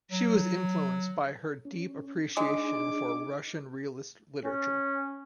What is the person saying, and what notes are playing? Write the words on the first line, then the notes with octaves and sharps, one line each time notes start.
She was influenced by her deep appreciation for Russian realist literature.
F#3
C#4
G#3 D4 D#4 G#4 D6
C#4